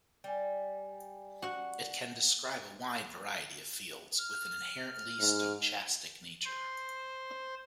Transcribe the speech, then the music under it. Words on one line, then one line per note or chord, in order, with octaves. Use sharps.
It can describe a wide variety of fields with an inherently stochastic nature.
G3 G5 G#5
F#4 F#5
F6
G#2
C5